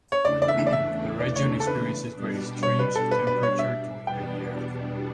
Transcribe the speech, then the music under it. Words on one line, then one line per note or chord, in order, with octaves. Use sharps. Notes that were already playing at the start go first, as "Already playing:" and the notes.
The region experiences great extremes of temperature during the year.
C#5
E2 C#3 E3 A3 D4 D5
D5
E5
D5
E5
D5
C#5
A4
B4
B2 G3 D4
C#5
B4
A4
B4
B4
C#5
E5
E2 B2 G3 B3 D4 G5